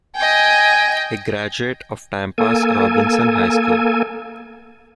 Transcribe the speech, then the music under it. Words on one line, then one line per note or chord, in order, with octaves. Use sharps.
A graduate of Tampa's Robinson High School.
D#5 G5 G#5
A#3 A4 G#5